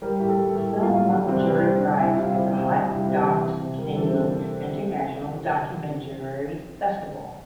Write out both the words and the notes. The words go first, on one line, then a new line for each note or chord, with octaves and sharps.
The film won the Jury Prize at the Hot Docs Canadian International Documentary Festival.
G3 A#4
A2 G4
A4
G3
A2 G4
G3
F4
A2
G3 D4
C3 C4
D4
G3
D4
C3 C4
G3 D4
C3 E4
G3 F4
C3 E4
G3 C4
C3 D4
G3 E4
C3 G4
E3
C3
C3
G3 A#4
E3 A4
C4
C3 D4